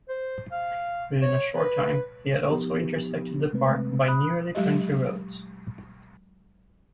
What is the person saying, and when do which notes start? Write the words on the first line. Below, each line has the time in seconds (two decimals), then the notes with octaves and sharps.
Within a short time, he had also intersected the park by nearly twenty roads.
0.09 C5
0.52 F5
1.22 C#5
1.53 B4
2.49 F3 B3 D#4 G4
3.53 C3 G#3 A3 C4 B4
4.08 B5 D#6 F#6
4.55 F#3 G#3 G4 D#5